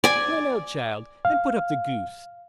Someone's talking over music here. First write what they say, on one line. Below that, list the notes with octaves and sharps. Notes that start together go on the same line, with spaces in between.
Run out, child, and put up the goose.'
D5 G#5
F5